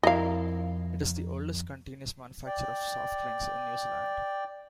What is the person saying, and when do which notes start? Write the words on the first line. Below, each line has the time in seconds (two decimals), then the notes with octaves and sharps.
It is the oldest continuous manufacturer of soft drinks in New Zealand.
0.03 F2 E4 A#4 D#5 F5
2.45 D5 G5